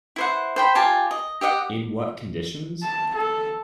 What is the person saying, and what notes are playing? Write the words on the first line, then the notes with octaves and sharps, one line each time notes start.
In what conditions?
E4 C5 F#5
C5 G5 B5
F4 G4 G#5 A5
D#5
G4 D#5 E5 F#5
A5
A4